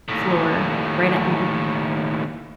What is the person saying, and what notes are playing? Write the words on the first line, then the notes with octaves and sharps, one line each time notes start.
floor right at home.
D#2 A2